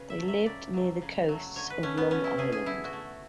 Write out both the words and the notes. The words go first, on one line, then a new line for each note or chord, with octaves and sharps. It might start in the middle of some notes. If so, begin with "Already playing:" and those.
They lived near the coasts of Long Island.
Already playing: C#3 B4
E5
F#3 A3
E5
C#3 D5
F#3 A3
C#3
F#3 A3
D3 C#5
B4
A3 C#4
B3
D3 C#4
E4
A3 G#4
G#4
D3 E4
F#4
A3